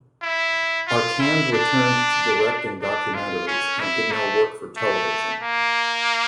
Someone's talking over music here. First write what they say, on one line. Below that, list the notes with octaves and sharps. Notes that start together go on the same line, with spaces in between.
Arcand returned to directing documentaries and did no work for television.
E4
F4
E4
D4
D4
F4
C#4
E4
A3
A3
A#3